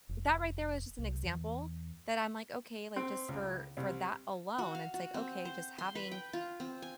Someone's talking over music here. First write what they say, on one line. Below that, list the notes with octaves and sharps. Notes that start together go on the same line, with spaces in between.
that right there was just an example that I'm like, okay, like, just for for that alone, it's like, okay, just having
F1
C2
E2
C4
C#2
C2
F#4
F5
F#4
C4
C5
C6
B4
G5
F4
C4
G#5